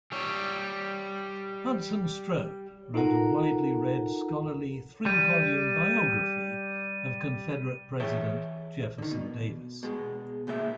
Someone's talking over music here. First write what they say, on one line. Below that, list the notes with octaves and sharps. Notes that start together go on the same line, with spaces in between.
Hudson Strode wrote a widely read scholarly three-volume biography of Confederate President Jefferson Davis.
G3 C#5
D#4 F4 A4 A#4 F#5 A#5
G3 D#7
E3 G#4 C#5 E5 G5 A5
D3 D#3
B2
B2 G#3
C#2 A#2 G#3 G#4 E5